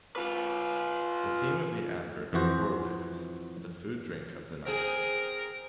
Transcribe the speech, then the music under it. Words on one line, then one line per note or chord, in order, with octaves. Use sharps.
The theme of the advert was Horlicks - the food drink of the night.
F4 B4
F2 E3 F#4 C5
C4 G#4 A#4